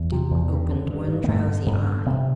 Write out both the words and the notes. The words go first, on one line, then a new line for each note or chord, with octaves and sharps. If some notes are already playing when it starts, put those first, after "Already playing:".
Duke opened one drowsy eye.
Already playing: E2
C3
E2
G2
D3
G2
G2
B3
G2 A3
D3
G2 B3
D3
C3 B3